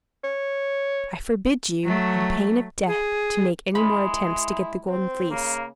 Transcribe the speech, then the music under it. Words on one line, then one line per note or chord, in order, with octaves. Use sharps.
I forbid you, on pain of death, to make any more attempts to get the Golden Fleece.
C#5
F#3 A3
G#4
G#3 E4 B5
C4
C#3 A#3